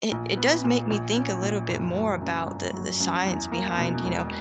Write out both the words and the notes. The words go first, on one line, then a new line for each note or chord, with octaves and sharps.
i it does make me think a little bit more about the the science behind, you know,
A#1
B3
A#2
A#1
C#4
A#2
F#1
F#3
F#2
G1
F#3
F#2
E2
A#3
B2
E1